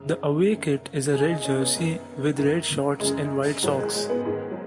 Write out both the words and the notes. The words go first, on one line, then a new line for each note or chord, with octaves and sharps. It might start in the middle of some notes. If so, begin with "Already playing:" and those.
The away kit is a red jersey with red shorts and white socks.
Already playing: F#2 C#3
F#2 D#3
F#2 C#3 G#4
D#4
C#4
B3
F#2 D#3
F#2 D#3
F#2 C#3 G#3
G#2 D#3 F#3
G#3
G#3
B3
G#2 D#3 G#3
F#3